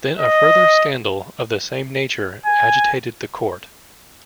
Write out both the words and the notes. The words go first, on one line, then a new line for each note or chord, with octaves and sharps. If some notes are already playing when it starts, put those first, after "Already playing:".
Then a further scandal of the same nature agitated the Court.
D#5
G#5